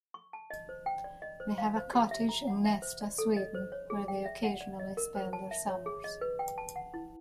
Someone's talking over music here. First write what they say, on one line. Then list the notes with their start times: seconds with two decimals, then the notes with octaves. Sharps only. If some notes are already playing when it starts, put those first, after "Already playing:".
They have a cottage in Gnesta, Sweden where they occasionally spend their summers.
0.14 C#6
0.33 A5
0.50 D#5
0.69 C5
0.86 G5
1.04 D5
1.22 D#5
1.40 C5
1.58 F5
1.76 C5
1.93 G4
2.11 E5
2.29 A#5
2.47 F#5
2.65 E5
2.82 C5
3.01 D5
3.18 A4
3.37 D#5
3.55 C5
3.72 C#5
3.90 G#4
4.08 G5
4.25 E5
4.44 F#5
4.61 D5
4.79 D#5
4.97 A#4
5.15 C5
5.33 A5
5.51 E5
5.69 C#5
5.86 G#4
6.04 D#5
6.21 B4
6.39 G5
6.58 A5
6.76 F#5
6.94 E4